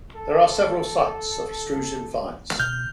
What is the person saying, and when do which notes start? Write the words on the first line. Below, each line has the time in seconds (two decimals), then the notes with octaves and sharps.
There are several sites of Etruscan finds.
0.16 A4
2.59 B2 F6 G6